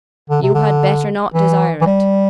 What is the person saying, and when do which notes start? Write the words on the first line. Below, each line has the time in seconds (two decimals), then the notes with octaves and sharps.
"You had better not desire it."
0.30 D3
0.43 C3
0.55 D3
1.34 E3
1.81 E3
1.86 G3